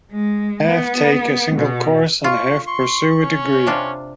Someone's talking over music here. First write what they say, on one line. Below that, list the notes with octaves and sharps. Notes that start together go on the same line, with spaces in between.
Half take a single course, and half pursue a degree.
G#3
B3
B2
F4 C#6
C6 C#6
C#4
C3 D4 F4